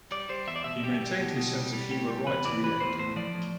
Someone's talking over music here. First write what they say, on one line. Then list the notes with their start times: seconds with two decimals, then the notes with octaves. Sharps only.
He maintained his sense of humour right to the end.
0.11 G3 D5
0.29 G3 C5
0.47 E2 E5
0.56 D5
0.64 B2 E5
0.83 G3 G4
1.00 G3
1.19 B2
1.36 B2
1.55 G3
1.73 G3
1.91 A2 G4
2.08 G3
2.27 E2 B4
2.45 E3 D5
2.64 E3 B4
2.80 E2 C5
2.99 A2 C5
3.16 F3 D5
3.35 A2